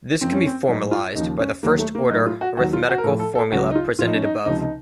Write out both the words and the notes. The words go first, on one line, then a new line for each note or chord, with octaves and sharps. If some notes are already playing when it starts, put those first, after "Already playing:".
This can be formalized by the first-order arithmetical formula presented above.
F#2 F3 C4
C#4
C4
A2 F#3 D#4
F4
D#2 C#3 F3 D#4
C#4
D#2 D#3 F#3 A#3
A3
A#3
A2 F#3 D#4
F4
F#4
D#2 D#3 F#3 F#4
F4
F#4
A#4
A2 F3 A4
A4
A4
C#2 C#3 F#3 F#4
D#4
F4
A2 F3 D#4 F4
C#4
D#4
C#2 C3 F3 D#4
D#4